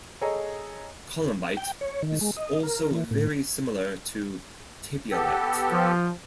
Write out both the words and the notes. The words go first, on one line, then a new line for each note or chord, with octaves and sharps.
Columbite is also very similar to tapiolite.
G#4 A4 C#5 D#5 A#5
G5
C#5
D#3
G#3
D#5
A#4
E3
A2
B3 G4 A4
F3